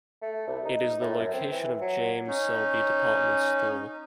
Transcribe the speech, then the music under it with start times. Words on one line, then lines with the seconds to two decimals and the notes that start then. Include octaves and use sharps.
It is the location of James Selby department store.
0.22 A3
0.48 C2
0.65 D#4
1.01 A2
1.19 F#2
1.34 C4
1.52 E3
1.81 F#3
2.28 C#4 D#4